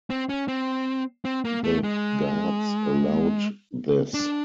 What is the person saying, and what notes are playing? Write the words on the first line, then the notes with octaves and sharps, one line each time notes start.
The guards allowed this.
C4
C#4
C4
C4
A#3
A3
G#3
D4